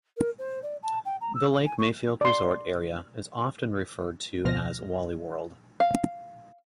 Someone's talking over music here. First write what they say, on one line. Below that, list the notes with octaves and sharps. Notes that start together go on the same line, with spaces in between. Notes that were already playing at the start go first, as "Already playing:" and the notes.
The Lake Mayfield Resort area is often referred to as 'Wally World'.
A#4
C5
D5
A5
G5
A#5
E6
F5
G#5
C#6
D5 C6
D2 B2 F3 F6 A#6
F5